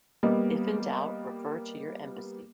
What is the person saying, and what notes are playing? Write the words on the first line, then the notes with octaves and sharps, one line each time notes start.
If in doubt, refer to your Embassy.
G3 A#3 B3 D#5